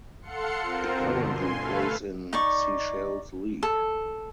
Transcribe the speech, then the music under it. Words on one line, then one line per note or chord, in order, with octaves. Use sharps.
It currently plays in Seychelles League.
A4 F5 F#5 C6 C#7
C4 F4 A#4 C5
G2 B2 D3
G#5 C6
A3 A4 B4 F5
D#4 D5 C#6
A4